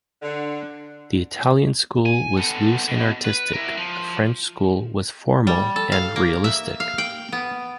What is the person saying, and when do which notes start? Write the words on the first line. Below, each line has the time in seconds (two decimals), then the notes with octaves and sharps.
The Italian school was loose and artistic, the French school was formal and realistic.
0.22 D3
2.06 G#5
2.37 B3 A4
2.88 B2
3.25 B4
3.53 E4 A#4
3.77 F3
5.47 G3
5.76 A4
5.92 F5
6.16 A#3
6.44 E5
6.80 F5
6.98 G5
7.32 B3